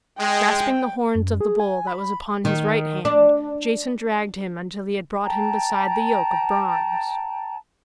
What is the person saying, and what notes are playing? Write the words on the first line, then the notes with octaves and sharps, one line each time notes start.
Grasping the horns of the bull that was upon his right hand, Jason dragged him until he had brought him beside the yoke of bronze.
G#3 G5
F#2
G#4
G#5
B5
D#3
D4
G5 A5 A#5